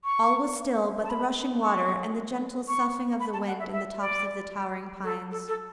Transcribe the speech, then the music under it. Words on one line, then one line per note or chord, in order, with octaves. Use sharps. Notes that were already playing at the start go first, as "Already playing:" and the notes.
All was still but the rushing water and the gentle soughing of the wind in the tops of the towering pines.
C#6
A5
B5
C#6
C#6
B5
A5
F#5
E5
E5
D5
A4
A4
A4